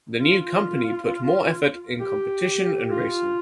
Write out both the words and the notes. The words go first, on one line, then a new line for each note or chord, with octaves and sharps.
The new company put more effort in competition and racing.
F4
G4
F4